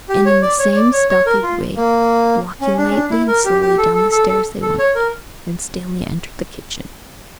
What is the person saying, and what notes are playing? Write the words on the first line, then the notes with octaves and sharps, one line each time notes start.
And in the same stealthy way, walking lightly and slowly, down the stairs they went, and Stanley entered the kitchen.
G4
C#5
D5
C#5
C#5
D5
C#5
C#5
A#4
F4
A#3
C#4
D4
C#4
D4
E4
A#4
G4
G4
A4
A4
A4
A4
A4
C#5
A#4